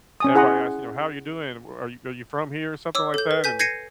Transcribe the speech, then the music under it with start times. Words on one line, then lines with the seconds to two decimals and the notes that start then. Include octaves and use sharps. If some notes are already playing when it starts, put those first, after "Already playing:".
Everybody asks, you know, "How're you doing? W Are you are you from here, or something like that?" and
0.20 C#4 G#5 D#6
0.35 E4 G#4 F#5 A#5 C6 D#6
2.95 C#5 D6 E6
3.14 A4 G6
3.31 B4
3.44 G#5 G6 B6
3.59 G6 G#6 A#6 C7 C#7 D#7